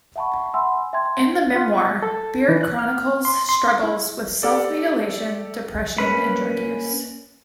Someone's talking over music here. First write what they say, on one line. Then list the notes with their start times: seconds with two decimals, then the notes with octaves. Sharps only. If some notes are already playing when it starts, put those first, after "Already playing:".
In the memoir, Beard chronicles struggles with self-mutilation, depression and drug use.
0.16 E5 F#5 A5 B5 C#6
0.54 E5 F#5 G#5 B5 C6 E6
0.93 E5 G5 A5 C6 G#6
1.56 F4
2.02 A4
2.48 E3
2.63 F#6
2.79 F6
3.25 C6
3.49 C6
3.83 E4
4.43 G4 A4 D5
5.98 A#3 C#4 B4 B5